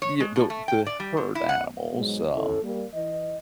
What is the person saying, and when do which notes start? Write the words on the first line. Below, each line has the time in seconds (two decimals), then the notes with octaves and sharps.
the the the herd animals, uh,
0.02 C#5
0.20 G#3
0.36 A2
0.50 A3
0.68 G5
0.87 D5
1.00 G3
1.17 G#2
1.35 E4
1.49 F#5
1.95 G#2 B2 F#3 G#3
2.33 D#2 D3 C#4 E4 A4
2.62 G3 A#3
2.94 E3 D#5